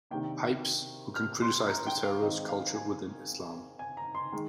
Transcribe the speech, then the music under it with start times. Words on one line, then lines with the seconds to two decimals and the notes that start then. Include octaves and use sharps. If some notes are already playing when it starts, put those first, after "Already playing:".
Pipes, who can criticize the terrorist culture within Islam.
0.11 C3 D#3 A#3 D4 G5
1.16 F6
1.42 C6
1.68 A#5
1.87 G5
2.05 F5
2.22 D#3 G#3 C4 D#5
2.49 F5
2.75 G#5
3.79 G#5
3.97 A#5
4.15 C6
4.32 D#3 G#3